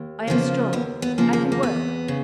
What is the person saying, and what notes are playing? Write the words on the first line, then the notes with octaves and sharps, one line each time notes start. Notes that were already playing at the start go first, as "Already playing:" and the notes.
I am strong. I can work.
Already playing: D#2
C#3 F3 A#3 B3
D#2 B3
B3
C#3 F3 A#3
A#3
A#3
E2 B3
C#3